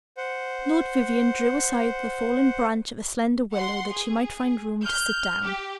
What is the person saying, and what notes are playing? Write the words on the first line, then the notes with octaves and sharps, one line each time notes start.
Lord Vivianne drew aside the fallen branch of a slender willow, that she might find room to sit down.
C5 F#5
F#5 C6
G#4
F6 G6
G4